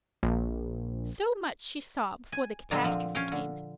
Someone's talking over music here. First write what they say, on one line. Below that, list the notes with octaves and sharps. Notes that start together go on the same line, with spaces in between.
So much she saw before the catastrophe came.
A#1
G#5
A#2 D3 F3 F#3 G#3 C4
D3 F3
C#4 F5 G5
D3